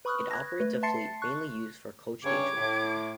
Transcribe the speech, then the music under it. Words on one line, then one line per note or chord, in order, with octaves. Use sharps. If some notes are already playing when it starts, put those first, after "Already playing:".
It operates a fleet mainly used for coach day-trips.
B4 B5 C#6 D#6 F6 F#6
F#6 G#6 A#6
A3 B4
E5 A5 C6 A6 C7 C#7
C#6 F#6
G2 C#3 C#5 D6 G#6
A2